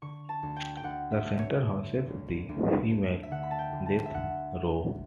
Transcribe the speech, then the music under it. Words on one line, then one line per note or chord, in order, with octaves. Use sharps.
The center houses the female death row.
D3 C#6
A5
D2
G5
G5
D2 F#5
E5
A3
C#5
D3
D2
D2
A3
E5
D3 F#5
B5
A5
G5
D2
A5
E5
D2 F#5